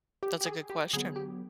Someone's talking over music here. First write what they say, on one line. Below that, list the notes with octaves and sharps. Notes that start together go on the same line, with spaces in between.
That's a good question.
G4
G4
G#4
G4
D3 F#3 B3 G#4
G4